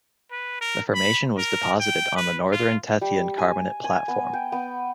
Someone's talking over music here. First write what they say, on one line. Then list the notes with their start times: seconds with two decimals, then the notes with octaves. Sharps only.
The formation was deposited on the Northern Tethyan Carbonate Platform.
0.31 B4
0.61 A#4
0.94 B5
1.38 A#4
1.80 G5
2.16 B4
2.51 F4
3.01 G3
3.38 G#5
3.84 G#5
4.08 B3
4.33 G5
4.52 B3